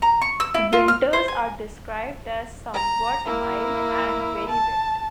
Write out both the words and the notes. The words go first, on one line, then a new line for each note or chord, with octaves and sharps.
Winters are described as somewhat mild and very wet.
A#5
C#6
E6
E4
F4
F6
C5
G#5
A#5
A#3 E4
A5